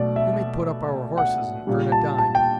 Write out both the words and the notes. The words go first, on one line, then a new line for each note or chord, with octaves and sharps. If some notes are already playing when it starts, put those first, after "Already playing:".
"You may put up our horses and earn a dime."
Already playing: B2 F#3 A3 D5
E5
F#5
A#2 G3
A5
A5
G5